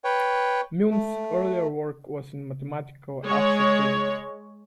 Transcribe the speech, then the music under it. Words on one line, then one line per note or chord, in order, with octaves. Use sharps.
Milne's earlier work was in mathematical astrophysics.
B4 C#5 G5
A3
G#3 C#5